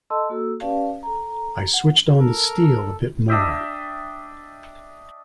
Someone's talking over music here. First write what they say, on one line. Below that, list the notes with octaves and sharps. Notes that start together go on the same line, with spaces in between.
I switched on the steel a bit more.
A4 D#5 A5 C6 E6
A#3 F#4 A4 E6
C#4 G4 B4 D5 F5 A5
A4 A#5
F#5
A4 A#4
D4 D#5 E5 G5